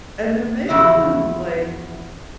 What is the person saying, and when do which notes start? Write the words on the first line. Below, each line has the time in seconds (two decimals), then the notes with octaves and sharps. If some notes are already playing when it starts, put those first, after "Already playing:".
And they're making them, like
0.68 E2 C#3 F3 E4 F#4 E5